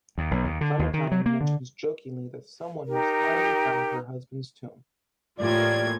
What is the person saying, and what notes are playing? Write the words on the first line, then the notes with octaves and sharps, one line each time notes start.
Clementine mentions jokingly that someone has finally found her husband's tomb.
D#2
B1
D#2
D3
D#2
D#3
F#3
A#3
D3
D#4 G4 A#4
A2 E3 A#3 F4 G4 D5 G#6